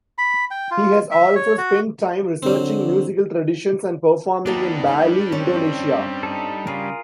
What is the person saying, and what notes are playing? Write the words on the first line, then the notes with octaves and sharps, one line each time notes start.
He has also spent time researching musical traditions and performing in Bali, Indonesia.
B5
G5
F4
E5
C#5
F#4
D3 F#3 C4
D#2 G3 B3 D4 D#4 A5
C4 C#4
D#4 A4
C#3 C#4 F4 G#4 A#4